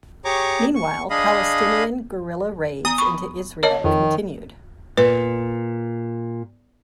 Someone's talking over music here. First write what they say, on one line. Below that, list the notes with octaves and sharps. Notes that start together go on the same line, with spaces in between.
Meanwhile, Palestinian guerilla raids into Israel continued.
G4 G#4 C#5 A#5 C#6 D6
C#6
D4 G#4 D#5 F5 B5 D#6
B3 A#5 D#6
B5 C#6
A#3 C#5 D#5 A5
F2 D#3
A#2 B4